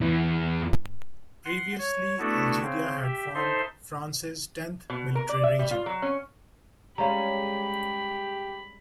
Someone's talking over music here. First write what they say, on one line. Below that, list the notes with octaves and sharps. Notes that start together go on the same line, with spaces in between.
Previously Algeria had formed France's tenth military region.
E2 E3
F#5 C6
C#5
A3 B3 D4 E4 F#4 A4
C#3 C4
G4 E5
D#4 A4 C5 E5 C6
B2
A#4
D5
E5
G3
F4
F#3
C#4
G3 G#3 C#4 G4 F5 A#5 B5